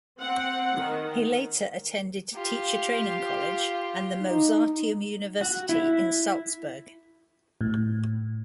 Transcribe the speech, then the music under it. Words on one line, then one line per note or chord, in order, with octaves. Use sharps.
He later attended teacher training college and the Mozarteum University in Salzburg.
C4 F#5
D#3
F4 G4
D#4
F#4
E4
A2